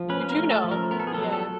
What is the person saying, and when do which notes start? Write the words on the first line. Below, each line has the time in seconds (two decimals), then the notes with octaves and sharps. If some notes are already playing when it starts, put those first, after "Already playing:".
You do know, yeah.
Already playing: F3
0.10 C#4 B4
0.29 A#4
0.36 A3
0.50 A4
0.64 F3
0.71 A#4
0.91 B3 A#4
0.99 A4
1.07 G#4
1.14 F#3 A4
1.33 A4